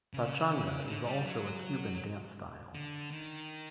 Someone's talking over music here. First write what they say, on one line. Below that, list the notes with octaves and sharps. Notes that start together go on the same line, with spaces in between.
Pachanga is also a Cuban dance style.
C#3
D3
G3
F#3
D3
D#3